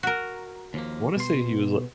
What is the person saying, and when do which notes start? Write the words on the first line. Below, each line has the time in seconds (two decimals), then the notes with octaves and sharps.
I wanna say he was li
0.03 F#4 A#4
0.74 D#2 F3 A#3
1.16 B2 C6